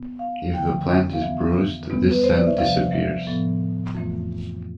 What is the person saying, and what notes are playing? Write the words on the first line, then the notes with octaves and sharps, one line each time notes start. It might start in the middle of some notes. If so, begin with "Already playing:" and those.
If the plant is bruised this scent disappears.
Already playing: B2 B3
F5
E2 D3 F3 A3 C4 G5
F5
F2 E3 B3 E5
E2 B2 G3 B3
B4
C5
D5
E5
C3 F3 C4 F5
E5
A2 F3 B3
F2 E3 A3 C4